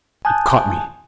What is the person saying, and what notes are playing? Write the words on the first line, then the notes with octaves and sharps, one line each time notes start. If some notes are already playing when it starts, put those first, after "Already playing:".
It caught me.
G#5 A5 D#6 F#6 G6